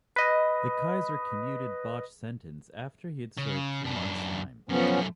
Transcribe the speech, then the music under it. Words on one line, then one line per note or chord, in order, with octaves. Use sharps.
The Kaiser commuted Batsch's sentence after he had served two months' time.
B4 D#5
C#3
F#2 D4
F#2 F3 A3 B3 C#4